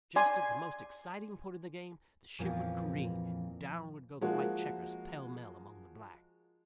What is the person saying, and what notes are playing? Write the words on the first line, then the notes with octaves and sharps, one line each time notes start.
Just at the most exciting point of the game, the ship would careen, and down would go the white checkers pell-mell among the black.
D5 G#5 C6
F2 A#2 E3 F3 A#3 B3
F3 G#3 A#3 F4 F#4